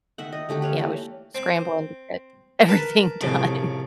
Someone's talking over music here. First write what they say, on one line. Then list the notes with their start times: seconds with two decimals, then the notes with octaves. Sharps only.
you know, s scrambling to get everything done.
0.18 D#3 E5 F#5
0.32 D#5
0.49 D3 A3 G4 D6
0.62 B4 C#5 F5
0.78 E3 A3 A#3
1.35 C4
2.68 A#4 B4 A5
3.21 C2 F2 A2 C#3